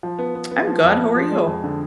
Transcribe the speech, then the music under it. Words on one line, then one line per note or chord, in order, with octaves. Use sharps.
I'm good, how are you?
F3
B3
B3
B3
F3
F2
F2
F3
G#3
F2
D3